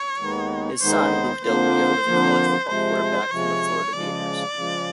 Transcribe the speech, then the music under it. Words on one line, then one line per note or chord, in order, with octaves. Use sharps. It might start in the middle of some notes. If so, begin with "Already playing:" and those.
His son, Luke Del Rio, is a college football quarterback for the Florida Gators.
Already playing: C#5
D#2 D#3 G#3 B3 D#4
D#2 D#3 G#3 B3 D#4 C5
F2 D3 F3 A#3 C5
F2 D3 F3 A#3
C3 F3 G#3 C5
C3 F3 G#3 C#5
C#3 F3 G#3 D5
C#3 F3 G#3